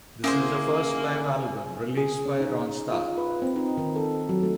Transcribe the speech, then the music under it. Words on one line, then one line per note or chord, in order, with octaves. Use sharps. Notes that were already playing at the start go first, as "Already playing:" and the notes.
This is the first live album released by Ronstadt.
A#3 C#4 E4 G#4 C5 G#5
G#4
C#4
D#4
F4
B4
C4
D#4
D#3
A4
F#3
A3